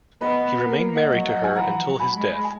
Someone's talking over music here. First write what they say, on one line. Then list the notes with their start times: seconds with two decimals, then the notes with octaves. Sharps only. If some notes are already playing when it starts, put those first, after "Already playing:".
He remained married to her until his death.
0.21 B3 B4 D#5
0.66 A#3 A#4
0.95 D#5 F#5
1.11 F#3
1.25 D#5 F#5
1.44 G#5
1.55 E3 F#5 A#5
1.84 F#3
2.00 G#5 B5
2.15 G#3
2.44 G#5